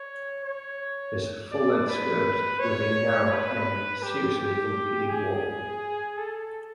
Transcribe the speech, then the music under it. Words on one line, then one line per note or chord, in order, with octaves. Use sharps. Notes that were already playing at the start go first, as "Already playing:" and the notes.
This full-length skirt with a narrow hem seriously impeded walking.
Already playing: C#5
C#5
D5
B4
C#5
B4
G4
G4
G#4
A4